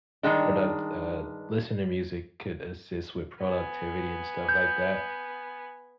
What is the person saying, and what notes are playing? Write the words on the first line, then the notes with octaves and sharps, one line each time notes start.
product uh, listen to music could assist with productivity and stuff like that,
G2 D#3 G#3 D4
B3 G#5
G6